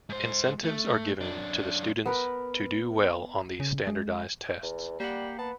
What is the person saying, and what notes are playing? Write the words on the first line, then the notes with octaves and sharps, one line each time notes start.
Incentives are given to the students to do well on these standardized tests.
G#2 C5
A3
F#2 D4
B3 A#4 B4
C#3
G#3
E2
G3 A#3 G4 F#5
B3 A5